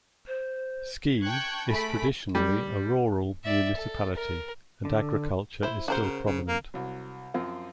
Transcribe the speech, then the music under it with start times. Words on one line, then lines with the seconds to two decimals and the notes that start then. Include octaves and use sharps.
Ski is traditionally a rural municipality, and agriculture is still prominent.
0.27 C5
1.24 G5 A5 C#6 F#6 G#6
1.70 A3 G#4 B5 B6 D7
2.35 G3
3.44 D5 E5
3.77 A4
4.15 A#4
4.85 D3
5.63 E4 C5
5.88 C#3 F#4 A#4 C5
6.00 C#3
6.26 C#3
6.48 A#3
6.74 C2 F#3
7.34 F#2 F3 C4 F4